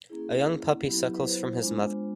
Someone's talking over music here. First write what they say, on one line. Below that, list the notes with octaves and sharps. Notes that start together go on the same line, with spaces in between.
A young puppy suckles from his mother.
A#3 C#4 E4 G#4
F#3 B3 E4 G4
B4
C5
G#3 B3 D4 F4